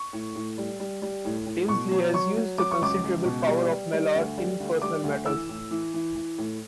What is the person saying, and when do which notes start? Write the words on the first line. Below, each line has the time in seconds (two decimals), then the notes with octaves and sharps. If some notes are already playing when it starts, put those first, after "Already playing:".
Tinsley has used the considerable power of Mallard in personal matters.
Already playing: C#6
0.13 A2
0.36 A2
0.58 G3
0.80 G3
1.02 G3
1.25 A2
1.46 A2
1.68 B2 C#6
1.91 F#3
2.13 F#3 C#6
2.37 F#3
2.58 F#3 D6
2.71 C#6
2.81 C#2 D6
3.04 C#2
3.25 B2
3.47 G3
3.71 G3
3.93 G3
4.15 D2
4.38 G3
4.60 D2
4.82 G3 D6
5.03 D2
5.26 E3 E6
5.49 A2
5.71 E3
5.94 E3
6.16 E3
6.38 A2